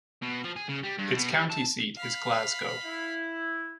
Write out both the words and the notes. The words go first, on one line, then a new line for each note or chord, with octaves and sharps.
Its county seat is Glasgow.
B2
F3
G#4
C#3
G3
G2
B2
G3
A5
F5 B5
E4